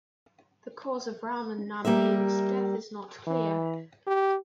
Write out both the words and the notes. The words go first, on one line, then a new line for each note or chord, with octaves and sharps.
The cause of Rahmon Nabiev's death is not clear.
G3 A#3 A#4 E5
E3
G4